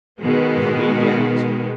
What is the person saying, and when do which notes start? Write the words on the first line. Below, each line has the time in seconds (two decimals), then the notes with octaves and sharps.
Not me, yet.
0.20 B2 D#3 G#3 B3